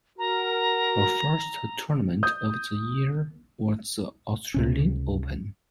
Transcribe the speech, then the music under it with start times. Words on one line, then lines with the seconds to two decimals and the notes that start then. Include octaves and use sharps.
Her first tournament of the year was the Australian Open.
0.19 F#4 A#4 A#5
2.23 D#6 G6
4.54 C#2 C3 C#4